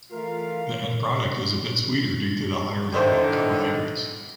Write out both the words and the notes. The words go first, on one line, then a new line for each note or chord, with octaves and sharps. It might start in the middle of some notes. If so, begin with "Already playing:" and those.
The end product is a bit sweeter due to the higher level of carbohydrates.
E3 A3 F4 A#4 F5
D3 D#3 D#4 E4 C5